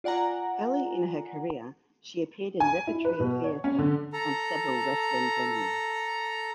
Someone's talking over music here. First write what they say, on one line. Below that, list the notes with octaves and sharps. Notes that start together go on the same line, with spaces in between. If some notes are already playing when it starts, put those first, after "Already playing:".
Early in her career, she appeared in repertory theatre and several West End venues.
F4 D5 F#5 G#5 A#5
G#5
E4
B4
B2
C#5
C#4
D3
A4 A#5